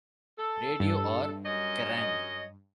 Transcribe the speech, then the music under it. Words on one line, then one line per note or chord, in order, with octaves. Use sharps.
Radio or Kerrang!
A4
G2
F#2 C#5 D#5